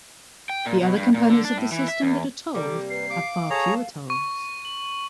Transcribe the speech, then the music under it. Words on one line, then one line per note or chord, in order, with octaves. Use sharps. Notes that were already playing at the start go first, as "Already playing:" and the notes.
The other components of the system that are tolled have far fewer tolls.
G5
A#2
B2
G2
A#2
D3
D4
A2
E3
E5
E2
C3 G3 A#3 A4 D6
B4 C7
F5 D6
G#4 A4 C#5 A5 A#5 C#6
C#6
F#7